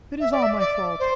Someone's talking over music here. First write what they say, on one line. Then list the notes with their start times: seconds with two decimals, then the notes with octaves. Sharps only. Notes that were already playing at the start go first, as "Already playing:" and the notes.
It is all my fault.
0.20 E5
0.32 D5
0.43 E5
0.59 D5
0.99 C5